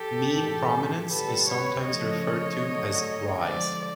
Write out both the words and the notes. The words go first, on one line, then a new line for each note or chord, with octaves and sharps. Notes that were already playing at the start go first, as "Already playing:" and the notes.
"Mean" prominence is sometimes referred to as "rise".
Already playing: G4 A4
A2 E3 G#3
D3 G3 A4 B4
B4 C#5
C#3 F3 A3 C#5 D#5
D3 F#3 A3
D3 F3 G#3 C5 D5